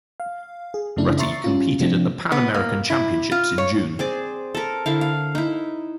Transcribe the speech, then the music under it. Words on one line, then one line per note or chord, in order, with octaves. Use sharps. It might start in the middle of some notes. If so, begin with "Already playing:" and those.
Rutty competed at the Pan American Championships in June.
F5
G#4
F#2 C#3 A3 D4 E4
E5 A#5 C6 C#6 A6 C7
G3 C#4 F4
C3 F3 A3 C4 D4
B3
A#3
E4
F4
C#5
C4 G#4 D5
A4 A#4
D3 E4 F5
F5
D#4 E4